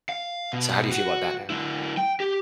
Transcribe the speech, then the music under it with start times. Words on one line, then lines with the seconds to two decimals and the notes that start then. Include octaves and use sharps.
So how do you feel about that now?
0.09 F5
0.53 B2
0.91 F#4
1.50 F#3 E4
1.97 G5
2.20 G4